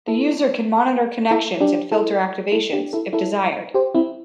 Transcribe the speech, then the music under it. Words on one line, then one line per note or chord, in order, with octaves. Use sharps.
The user can monitor connections and filter activations, if desired.
E4 A4
E4 A4
D4 G4
E4 A4
E4 A4
D4 G4
E4 A4
E4 A4
G4 C5
C4 E4